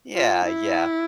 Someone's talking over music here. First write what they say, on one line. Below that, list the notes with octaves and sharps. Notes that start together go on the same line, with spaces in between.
yeah, yeah.
F4
E4